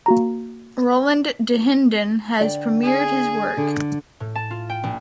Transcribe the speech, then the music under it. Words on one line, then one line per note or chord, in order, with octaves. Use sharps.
Roland Dahinden has premiered his work.
A#3 F#4 A#5
D3 D5 G5
G#4
D3
A2
A5
F4
G5
A#1